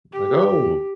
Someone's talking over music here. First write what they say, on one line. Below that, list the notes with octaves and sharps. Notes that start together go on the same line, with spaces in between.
like, "Oh!"
G4